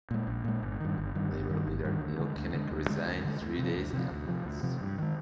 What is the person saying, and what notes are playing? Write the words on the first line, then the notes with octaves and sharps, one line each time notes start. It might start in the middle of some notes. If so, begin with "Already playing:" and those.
Labour leader Neil Kinnock resigned three days afterwards.
A#2 G#3
A#1
A#2 G#3
G1
G2 D#3
G1
G2 D#3
G1
G2 D#3
G1
G2 D#3
D2
D3 G#3
D2
D3 G#3
D2
D3 G#3
D2
D3 G#3
D2
C3 F3
D2
C3 F3
D2
C3 F3
D2
C3 F3
G2
D#3 G#3